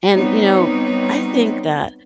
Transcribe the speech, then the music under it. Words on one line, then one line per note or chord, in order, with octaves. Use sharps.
and, you know, I think that,
G3 B3 C4 D#4 C#5